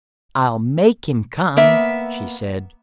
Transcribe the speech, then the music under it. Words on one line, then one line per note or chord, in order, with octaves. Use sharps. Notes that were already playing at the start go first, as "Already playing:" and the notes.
"I'll make him come," she said.
A#3 B3 E5